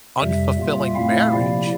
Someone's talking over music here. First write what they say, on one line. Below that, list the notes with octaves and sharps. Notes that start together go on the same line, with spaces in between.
unfulfilling marriage
F2 C3 G3 E5
A#2 G3 A#3 F4
A#2 A3 C4 E4 F5
C3 F3 A#3 E4 D5